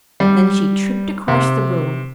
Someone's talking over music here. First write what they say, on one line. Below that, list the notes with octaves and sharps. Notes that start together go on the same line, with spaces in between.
Then she tripped across the room.
G3
C3